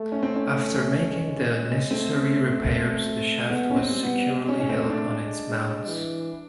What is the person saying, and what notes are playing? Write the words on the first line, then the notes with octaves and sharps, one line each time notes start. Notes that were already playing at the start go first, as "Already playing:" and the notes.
After making the necessary repairs the shaft was securely held on its mounts.
Already playing: A3
C#4
C4
C#4
G#3
G#3
A3 C4
G#3 B3
C#4
C4
G3
B3
G#3
C#4
C#4
A3 C4
D4
G#3
G#3
E3